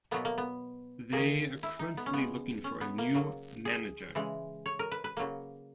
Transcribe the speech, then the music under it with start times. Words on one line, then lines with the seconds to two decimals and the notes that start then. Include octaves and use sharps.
They are currently looking for a new Manager.
0.11 B2 F#3 A#3 B3
0.25 A#3
0.38 B3
1.12 D#3 A#3 G#4
1.63 E4
1.79 D#4
1.97 B3
2.06 C#4
2.13 C#3 G#3 B3
2.64 C#4
2.81 B3
2.98 A#3
3.15 C#3 F#3 A#3
3.65 G#4
4.15 C#3 E3 G#3
4.66 C#5
4.79 A#4
4.92 B4
5.04 B4
5.17 C#3 F#3 A#3